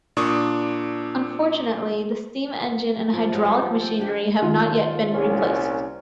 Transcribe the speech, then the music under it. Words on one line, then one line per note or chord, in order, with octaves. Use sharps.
Unfortunately, the steam engine and hydraulic machinery have not yet been replaced.
A#2 D4 C#6 D#6
A#2 F3 D5
F#3 G#3 B3 F5
G3 C4 F4
F3
A4 D#5 G5
D3 G4
D#3 F4
C2 A#2 C#4